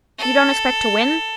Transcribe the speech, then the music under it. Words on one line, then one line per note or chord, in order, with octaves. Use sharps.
"You don't expect to win?"
A4